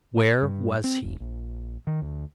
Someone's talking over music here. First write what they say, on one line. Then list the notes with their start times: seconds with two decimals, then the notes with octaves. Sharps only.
Where was he?
0.42 G2
0.84 C4
1.04 E1
1.20 A#1
1.87 D#3
2.02 D2